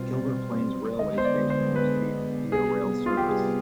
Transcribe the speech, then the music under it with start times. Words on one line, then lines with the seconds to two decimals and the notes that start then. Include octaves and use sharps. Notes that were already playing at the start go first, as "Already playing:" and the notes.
Gilbert Plains railway station receives Via Rail service.
Already playing: B2 G3 C4 F4
0.99 D3 G#3 B3 D#5
1.18 C5
1.25 D5
1.50 C5
1.76 B4
2.51 C3 G3 B3 G#4
3.06 F4
3.17 G4
3.29 G#4